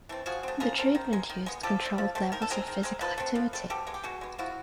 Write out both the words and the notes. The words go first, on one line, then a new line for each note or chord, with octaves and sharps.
The treatment used controlled levels of physical activity.
E3 A3 C4
F3 F#4 G#4
A3 C4
F3 G#4 A#4
A3 C4
D#3
G#3 B3
D#3
G#3 B3
F3 G4 A4
A3 C4
F3
A3 C4
D#3 A#4
A4
G#3 C4 G#4 A#4
D#3
G#3 C4
F3 A4 B4
A3 C4
F3
A3 C4
B2 G4 A4
G#3 B3
G4
B2 F#4 G#4
G#3 B3
F3 E4 F#4